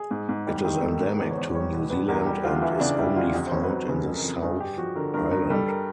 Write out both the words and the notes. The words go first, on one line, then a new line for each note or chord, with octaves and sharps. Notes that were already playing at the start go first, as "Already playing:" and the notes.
It is endemic to New Zealand and is only found in the South Island.
Already playing: G#4
G#2
G#2
G3
D#3 G4
G#2 A4
G#2 A4
A#4
E2 B4
C#5
E2 C5
G3 C#5
B2
E2 B4
E2 A#4
G3 G4
D2 F4
E3 E4
C#3 D4
G3 E4
D2 F4
F2 G4
C5
F2 C#5
B4
F#3 C5
C#3 B4
F2
A#4
F2
G2 G#4
G2 G4
F3 F#4
D3 A#4
G2 A#4
G2 A#4
G3 A4
A#4